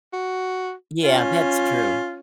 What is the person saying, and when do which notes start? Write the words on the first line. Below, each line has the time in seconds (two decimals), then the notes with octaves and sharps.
Yeah. That's true.
0.13 F#4
1.04 C#4 F4